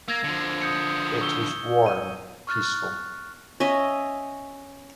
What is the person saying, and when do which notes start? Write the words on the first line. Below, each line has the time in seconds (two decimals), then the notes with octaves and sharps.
It was warm, peaceful.
0.08 A#3 E6 G#6 A#6
0.24 D3 F3
0.61 D#6 G6 C#7
1.21 C#6 E6 G7
1.86 D#7
2.47 C#6 F6 F#6 A6
3.60 C#4 D#5 E5